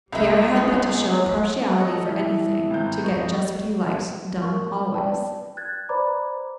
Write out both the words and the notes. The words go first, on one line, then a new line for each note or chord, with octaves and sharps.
Pierre had but to show a partiality for anything to get just what he liked done always.
C#2 G3 G#3 E5 F5
C#3 C#4 D#4
A4 D#5
E3
G#1 G6
F2 D#5 C#6
A#4 C#6
B4 D5 G5 A5
F#6 G#6 A6
B4 C5 D5 A#5 B5 D6